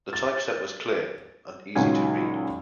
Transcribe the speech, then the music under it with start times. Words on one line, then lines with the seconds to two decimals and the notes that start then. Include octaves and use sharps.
The typeset was clear and easy to read.
0.13 A6
1.76 C#2 A#2 D#3 F#3 G#5 G#6